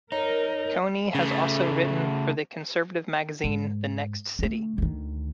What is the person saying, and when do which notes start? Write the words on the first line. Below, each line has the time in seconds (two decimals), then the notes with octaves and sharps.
Coyne has also written for the conservative magazine The Next City.
0.12 D#4 A#4 C#5
1.15 C#3 A3
3.44 G#2
4.39 D3 A3
4.78 D2 D#3